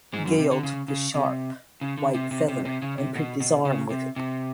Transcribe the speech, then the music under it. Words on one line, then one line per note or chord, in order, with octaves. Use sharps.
Gale took the sharp white feather and pricked his arm with it.
G#2 G#3
F#2 F#3
C3
D3
C#3
C#3
C3
C#3
D3
C3
C3
C3
C3
C#3
C3
B2
B2
C#3
C3
C3